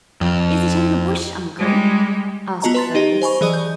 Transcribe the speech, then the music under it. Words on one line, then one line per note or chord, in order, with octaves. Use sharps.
"Is it in the Bush, Uncle?" asked Fergus.
F2
G3 G#3
B3 F4 F#4 D#5 A5 A#5
B4 C6 A6
D#4 G4 D#5
C5 G#5 B5 C#6
E3 F#3 G#4 D5 D#5 D#6
G6